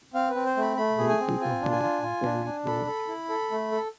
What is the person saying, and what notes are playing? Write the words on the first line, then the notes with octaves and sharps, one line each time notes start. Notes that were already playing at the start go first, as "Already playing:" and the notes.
They dig a hole and bury George.
C4 F5
B4
C4
C5
A3 B5
A3 B5
G#4
G#5
C4
F4 G#5
D4
G#5
F4
F4
D4
D4
A4 B5
A4
E4
A4
A3
A4